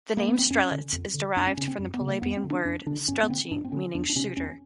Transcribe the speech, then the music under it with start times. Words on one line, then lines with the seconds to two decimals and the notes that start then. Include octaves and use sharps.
The name "Strelitz" is derived from the Polabian word "Strelci", meaning "shooter".
0.17 A#3
0.28 B3
0.39 C4
0.50 F2 C#4
0.71 D3
0.93 F2
1.14 D3
1.37 F#2 D4
1.47 C#4
1.57 C#3 C#4
1.68 C4
1.79 F#2
1.94 B3
2.01 C#3
2.08 A#3
2.22 F2 B3
2.37 C4
2.44 D3
2.50 D4
2.65 F2 D4
2.86 D3 D4
3.08 G2 C#4
3.23 B3
3.29 D3 C4
3.51 G2 D4
3.65 C4
3.72 D3 C#4
3.94 E2 D4
4.10 D4
4.16 C3 C#4
4.37 E2 C#4